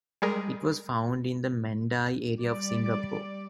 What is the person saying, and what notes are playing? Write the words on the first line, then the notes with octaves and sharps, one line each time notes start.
It was found in the Mandai area of Singapore.
G3 G#3 G#4 A#4
G3 D5